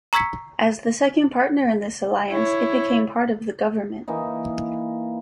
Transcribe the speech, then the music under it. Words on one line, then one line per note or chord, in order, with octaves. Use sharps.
As the second partner in this alliance it became part of the government.
A#5 C#6 E6 G#6 B6 C#7
E4 C#5
E3 A#3 D#4